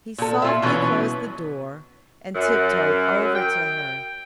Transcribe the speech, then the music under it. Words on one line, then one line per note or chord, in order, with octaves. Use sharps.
He softly closed the door and tiptoed over to her.
A#2 A4
A#2 F4 E5
B2 E3 F#3 G#3 B3 C#4
F#2
G5